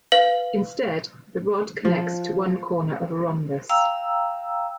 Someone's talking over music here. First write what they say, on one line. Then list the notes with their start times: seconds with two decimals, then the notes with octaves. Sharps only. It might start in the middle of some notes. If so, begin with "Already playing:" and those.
Instead, the rod connects to one corner of a rhombus.
0.12 B4 F5 F#7
1.85 F3
3.69 F5 G5 A#5 E6